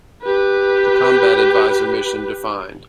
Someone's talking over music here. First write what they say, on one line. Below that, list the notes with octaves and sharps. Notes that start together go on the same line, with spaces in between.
The Combat Advisor Mission Defined.
G4 B4